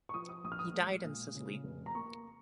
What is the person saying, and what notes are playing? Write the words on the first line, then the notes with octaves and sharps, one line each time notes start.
He died in Sicily.
C#6
F3 D#6
D#6
A#1 D#6
F6
D#6
G#3
A#2
C#3
F1
A#5
A#3 C#6